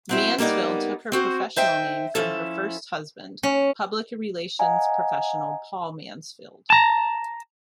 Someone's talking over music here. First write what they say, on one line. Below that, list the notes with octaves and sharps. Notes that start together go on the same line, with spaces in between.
Mansfield took her professional name from her first husband, public relations professional Paul Mansfield.
F#3 C4 E4
G3 A#3 B3 D#4 D5
C4 F#4 C5
D#4 C5 E5 G5
F3 C#4 E4 A4
C#4
D#5 F5 F#5 G#5 A#5
A5 A#5